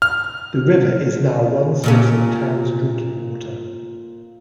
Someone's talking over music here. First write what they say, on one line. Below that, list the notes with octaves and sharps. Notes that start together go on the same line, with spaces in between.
The river is now one source of the town's drinking water.
F6
A#2 A3 C#4